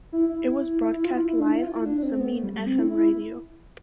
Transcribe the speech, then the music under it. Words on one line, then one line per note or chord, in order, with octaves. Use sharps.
It was broadcast live on Zamin Fm radio.
E4
E4
E4
E4
F4
E4
E4
D4
E4
F4
E4
D4
D4
C4
B3
A3
G3
A3
C4
E4
E4